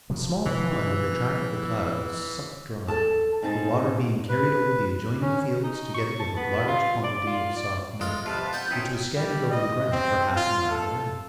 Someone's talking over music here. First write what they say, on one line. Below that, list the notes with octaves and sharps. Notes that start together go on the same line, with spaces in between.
"A small pond in the track of the cloud was sucked dry, the water being carried over the adjoining fields together with a large quantity of soft mud, which was scattered over the ground for half a mile around."
C3 F3 G3
B2 E3 F3 D4
A4 A5
G#2 C4 D#4 A5
B4
C#4
D#4
C#6
A5
B3
F4
D5
F4
D5
G#3 F4 A4 F5
F2 C3 F4 A#4 B4 A5
B3 F#5 A5 G6
C#4 D#4 E4 G5
G3
D#5
C4
F4
A4